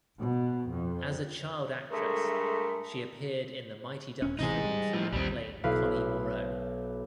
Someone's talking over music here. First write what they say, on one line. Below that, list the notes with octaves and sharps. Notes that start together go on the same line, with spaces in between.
As a child actress, she appeared in the "Mighty Ducks" films playing Connie Moreau.
B2
F2
G2 G#3 A3 A#4
D#1 C#4
A1 C3 E3 D#4 G#4
G3
A2 F3
A#1 D#2 G3 C4
B1 E4 B4 F5